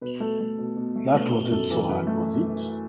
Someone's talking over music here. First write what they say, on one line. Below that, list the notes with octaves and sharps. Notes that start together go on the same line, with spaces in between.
That wasn't so hard, was it?
B2 B4
A3 A4
A3
B2
B2
A3
A3 B4
B2
F#2 A4
E3
F#2 B4
A3